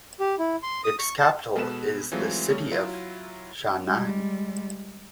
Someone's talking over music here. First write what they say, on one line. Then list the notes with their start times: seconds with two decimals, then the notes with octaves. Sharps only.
Its capital is the city of Chania.
0.20 G4
0.39 E4
0.63 C6
0.84 D#6
0.99 C#6
1.19 A5
1.56 B2 G#3 B3 A4 B4 E7
2.12 E3 F#3 G#3 A3 C4 F4
2.49 C#3 G3 A3 C#4
2.71 F#3 E4 F4
3.85 G3 G#3